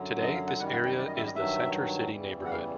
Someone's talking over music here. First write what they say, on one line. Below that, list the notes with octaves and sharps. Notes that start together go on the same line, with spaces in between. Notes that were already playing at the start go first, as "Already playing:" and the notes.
Today this area is the Center City neighborhood.
Already playing: F#2 D3 F#3
D#5
F5
F#5
F#2 D#3 G3 F#5
F#5
G5
D5
D#5
E5
D#5
G2 D#3 F#3 E5
E2 C#3 E3 G3
F#5
F5